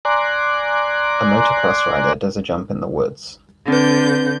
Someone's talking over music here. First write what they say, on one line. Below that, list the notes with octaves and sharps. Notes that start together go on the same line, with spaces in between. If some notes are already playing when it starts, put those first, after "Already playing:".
A motocross rider does a jump in the woods.
D5 G#5 A#5 C6 D6 F#6
D3 C4 B4 G6